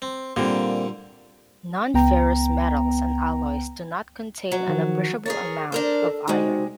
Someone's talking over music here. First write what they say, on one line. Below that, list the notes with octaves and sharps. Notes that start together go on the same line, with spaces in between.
Non-ferrous metals and alloys do not contain an appreciable amount of iron.
C4
A#2 D3 G3 A#3 C4
C#2 B3 G5 A#5
F#3
D#3 F3
G#4 A#4 C#5 A6
D4 A#4 C5
A4
C3 G#3 D#4 F#4 C5